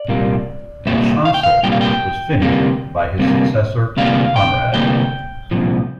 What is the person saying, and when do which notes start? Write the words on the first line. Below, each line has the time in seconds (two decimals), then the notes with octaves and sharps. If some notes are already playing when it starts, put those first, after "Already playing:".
The chancel was finished by his successor Conrad.
Already playing: D5
0.08 C2 A#2 G3 A#3
0.86 C2 A#2 G3 A#3 E5
1.25 F5
1.34 G5
1.43 F5
1.63 C2 A#2 G3 A#3 G5
1.72 F5
1.81 G5
2.42 D2 C3 G3 A#3
3.19 D2 C3 G3 A#3
3.97 D2 C3 G3 A#3 F5
4.36 G5
4.74 D2 C3 G3 A#3 G5
5.51 C2 A#2 F3